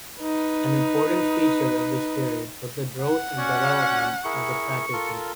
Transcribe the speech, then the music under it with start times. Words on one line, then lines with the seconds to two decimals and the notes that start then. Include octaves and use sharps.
An important feature of this period was the growth and development of the faculty.
0.22 D#4 B4
3.01 F#5
3.37 C#4 F#4 D5
4.25 E4 G#4 A#4 C#6
4.93 F4 A4 A#4